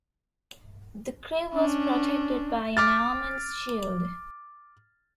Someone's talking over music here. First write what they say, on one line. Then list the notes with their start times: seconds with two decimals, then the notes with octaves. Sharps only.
The crew was protected by an armoured shield.
1.54 C#4 D4
2.77 D6 F6 A6